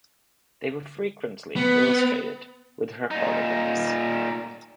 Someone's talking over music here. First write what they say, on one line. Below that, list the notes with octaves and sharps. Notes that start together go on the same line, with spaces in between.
They were frequently illustrated with her photographs.
B3
A#2 D#4